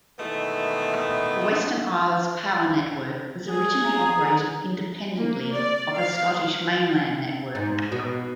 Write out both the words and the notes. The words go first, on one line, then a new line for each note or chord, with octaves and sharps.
The Western Isles power network was originally operated independently of the Scottish mainland network.
B2 D#3 E3 G#3 A3 B3
G#4
A#5
A#3
D5
F5
G#2
B2